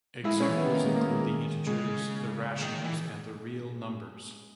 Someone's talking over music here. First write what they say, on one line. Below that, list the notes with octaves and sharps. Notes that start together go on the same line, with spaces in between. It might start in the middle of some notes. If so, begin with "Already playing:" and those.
Examples include the integers, the rationals and the real numbers.
G#3 E4
G#3 C#4
E3
D#3 B3
A#3
G#3
A#3
G#3
C#3 G#3
D#3
E3